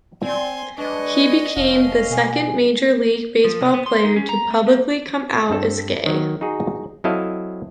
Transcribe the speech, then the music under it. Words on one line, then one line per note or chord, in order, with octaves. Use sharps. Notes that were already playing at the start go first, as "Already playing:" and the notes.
He became the second Major League Baseball player to publicly come out as gay.
C4 D5 G#5 C6
G#3 D4 B4 D#5 G#5 C#6
F1 C#4 F5 A5
B2 G#5
F3
C3
B3
C6
D#4
C#4
A#5
A3
A#3
G2 C4 A4
D#3 F#3
D#4 F#4 G#4
F#3 C4 E4 A4 D#5 F5